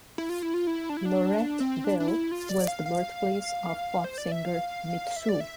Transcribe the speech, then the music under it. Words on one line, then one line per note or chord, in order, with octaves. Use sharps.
Loretteville was the birthplace of pop singer Mitsou.
E4
F4
E4
F4
E4
D4
E4
D4
C4
D4
D4
E4
F4
D5
F5
F5
C5
D5
E5
F5
E5
D5
E5